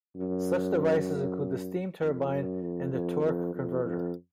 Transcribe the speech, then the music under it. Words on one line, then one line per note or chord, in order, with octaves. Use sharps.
Such devices include the steam turbine and the torque converter.
F#2
F2
F#2
F2
F2
F2
F2
F2